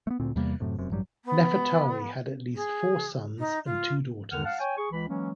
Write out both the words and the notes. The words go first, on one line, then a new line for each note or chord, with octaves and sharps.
Nefertari had at least four sons and two daughters.
A3 B3
D2 A#2 C4
E2 C3 G3 A#3
F#2 A2 C3
F1 F#2 C3
A1 G2 F#3 G3
B3
G#4
D#4
F4
E2 D3 D#3 F#5 F6
F5 F#5 A5
C#5 G5 G#5
G#4 C#6
C#2 E3 B5
E3 F#3 G#3 A#3 C#4